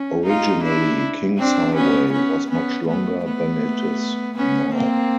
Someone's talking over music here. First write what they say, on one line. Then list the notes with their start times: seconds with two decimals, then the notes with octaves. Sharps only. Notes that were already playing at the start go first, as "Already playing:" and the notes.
Originally, Kings Highway was much longer than it is now.
Already playing: C#4
0.25 D#4 F4
0.63 D4 E4
1.38 C4 D4
1.75 B3 C#4
2.12 B3 C#4
2.50 B3 C#4
2.87 A3 B3
3.24 A3 B3
4.36 B3 C#4
4.74 A#3 C4